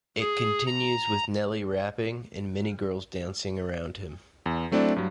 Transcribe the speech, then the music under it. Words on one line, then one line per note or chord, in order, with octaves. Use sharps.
It continues with Nelly rapping, and many girls dancing around him.
G#4
A#5
E2
F#3 A3 C4 D4 E4 D5
G2 F#3